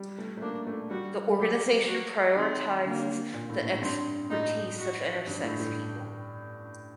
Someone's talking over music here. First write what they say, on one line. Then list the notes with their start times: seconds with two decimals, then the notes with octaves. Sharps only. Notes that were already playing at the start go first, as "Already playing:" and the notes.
The organization prioritises the expertise of intersex people.
Already playing: G3
0.18 A3
0.37 A3
0.42 A#3 D4
0.67 A3
0.90 G3 F#4
1.39 F#3 G4
1.88 F#4
2.36 D#3 C4
2.85 D3 A#3
3.33 A#2
3.50 A2
3.65 A2
3.82 G2 C4
4.30 A2 D#4
4.79 F#4
5.27 G2
5.43 A2
5.60 A2